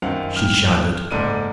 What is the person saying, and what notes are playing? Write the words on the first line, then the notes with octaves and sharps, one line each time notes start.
She shuddered.
F#2 D#3 C5 F5 F#5 F7
G5 F6
F#1 G#2 A4 D5 D#7